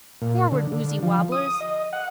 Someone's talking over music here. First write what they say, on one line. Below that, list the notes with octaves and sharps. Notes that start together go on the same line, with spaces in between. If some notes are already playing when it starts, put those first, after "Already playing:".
Forward, woozy wobblers!
A#2
D3
D3
F3
D#6
D#5
F#5